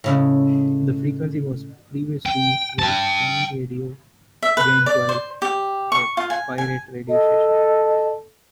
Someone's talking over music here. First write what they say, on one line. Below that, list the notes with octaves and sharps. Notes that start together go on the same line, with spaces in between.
The frequency was previously used by "Free Radio Gainesville", a pirate radio station.
A2 C#3 G#3
G5
G5 A5
E5
B4
D5
C5
G4
C#6
F4
G#5
G#5
A4 D#5